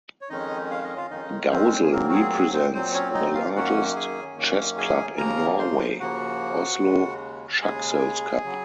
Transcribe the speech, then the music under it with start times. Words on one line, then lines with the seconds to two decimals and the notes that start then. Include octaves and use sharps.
Gausel represents the largest chess club in Norway, Oslo Schackselskap.
0.21 C#5
0.29 F2 D#3 G#3 C#4 D#4 D#5
0.71 F5
0.84 D#5
0.97 F4 F5
1.11 F2 D#3 G#3 C#4 D#4 D#5
1.51 C4 C5
1.83 G#4
1.92 A#2 F#3 A#3 C4 A#4
2.09 F#4
2.13 G#4
2.34 G#4
2.54 C4 C5
2.74 A#2 F#3 C4 C5
2.94 C#4 C#5
3.14 D#4 D#5
3.35 F4 F5
3.55 F#2 D#3 A#3 C#4 F#4 F#5
3.96 G#4 G#5
4.37 F#2 D#3 A#3 C#4
4.78 G#4 G#5
5.18 D#2 C#3 F3 A#3 A#4 A#5
5.59 C5 C6
6.00 D#2 C#3 F3 A#3 F#4 F#5
6.80 D#2 C#3 G#3
7.62 D#2 C#3 G#3 G#4 G#5
8.44 C#3 F#3